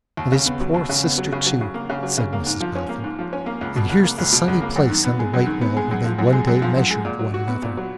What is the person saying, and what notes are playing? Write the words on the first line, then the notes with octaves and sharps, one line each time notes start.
And his poor sister too,' said Mrs Boffin. 'And here's the sunny place on the white wall where they one day measured one another.
D#2
C#3
B3
F#3
D#2
C#3
B3
F#3
C#3
F#3
C#3
A#3
C#3
F#3
C#3
A#3
G#2
F3
C#4
A#3
G#2
F3
C#4
A#3
C#2
B2
C#2
A#3
C#2
B2
C#2
A#3
F#2
D#3
B3
G#3
F#2
D#3
B3
G#3
F#2
F3
F#2
G#3
F#2
F3
F#2
G#3
A#2
F#3
F#4
B3
A#2
F#3